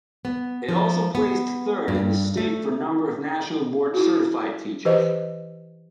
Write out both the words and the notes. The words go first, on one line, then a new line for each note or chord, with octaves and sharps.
It also placed third in the state for number of National Board Certified teachers.
B3
F3
B3
G2
A3
E4 F#4
E3 G4 B4 C5 D#5